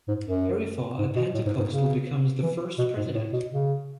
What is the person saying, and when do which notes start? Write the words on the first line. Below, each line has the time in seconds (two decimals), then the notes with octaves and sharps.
Harry Faugh, a Pentecostal, becomes the first president.
0.08 G#2
0.26 F#2
0.99 G#2
1.16 B2
1.34 A2
1.46 G#2
1.59 G#2
1.71 C#3
2.43 E3
2.78 B2
2.97 G#2
3.15 A2
3.33 B2
3.51 C#3